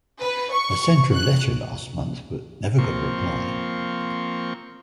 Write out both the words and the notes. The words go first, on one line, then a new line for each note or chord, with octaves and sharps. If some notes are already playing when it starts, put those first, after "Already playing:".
I sent her a letter last month but never got a reply.
B4
C#6
F#6
F3 A#3 C4 C#6